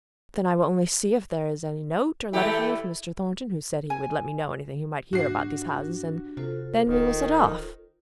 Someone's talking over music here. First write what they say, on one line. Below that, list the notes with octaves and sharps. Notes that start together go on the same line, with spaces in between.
Then I will only see if there is any note or letter for me from Mr. Thornton, who said he would let me know anything he might hear about these houses, and then we will set off.
E2 A3 E4 G4
G#5
G#2 D4 F#4 G4 C7
C3 F4 A4 C5
D1 D#3